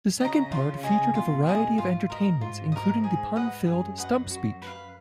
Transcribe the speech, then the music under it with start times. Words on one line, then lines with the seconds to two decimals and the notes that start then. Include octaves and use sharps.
The second part featured a variety of entertainments, including the pun-filled stump speech.
0.20 C#3 D#5 A#5
0.52 F4
0.83 G#4 D#5
1.15 B2 F4
1.47 G#4 D#5
1.78 G#2 F4
2.10 A#4 D#5
2.41 G#2 F4
2.72 A#4 D#5
3.04 G#4
3.36 B4 D#5 F#5
3.67 F#2 G#4
3.98 B4 D#5 F#5
4.30 F#4
4.62 B4 F5